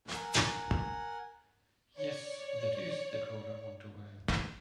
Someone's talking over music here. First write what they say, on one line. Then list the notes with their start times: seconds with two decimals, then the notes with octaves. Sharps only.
Yes, that IS the coat I want to wear.
0.13 A#4 F#5 G#5
1.96 C#5 D5